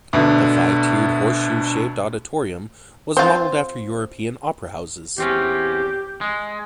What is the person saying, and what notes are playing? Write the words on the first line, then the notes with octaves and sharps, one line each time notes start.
The five-tiered, horseshoe-shaped auditorium was modelled after European opera houses.
D2 B2 D3
C4 F4
E2 C4 C#4 G4
G#3